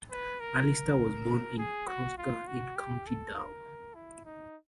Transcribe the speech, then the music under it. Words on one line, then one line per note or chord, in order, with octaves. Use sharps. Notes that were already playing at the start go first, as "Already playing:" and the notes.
Allister was born in Crossgar in County Down.
B4
A#4
G#4
F#4
F4
F#4
G4
A4
A#4
E4
D#4